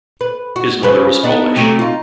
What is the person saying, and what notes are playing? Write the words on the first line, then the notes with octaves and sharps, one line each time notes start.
His mother was Polish.
B4
F#4
C#3 F3 B4
B3 D4 D#4
C3 F#3 A3
D#4 F4